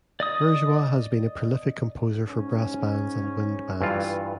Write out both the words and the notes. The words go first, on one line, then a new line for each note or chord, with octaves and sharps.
Bourgeois has been a prolific composer for brass bands and wind bands.
D5 D#5 D#6
G#2 C#4
G2 E3 F4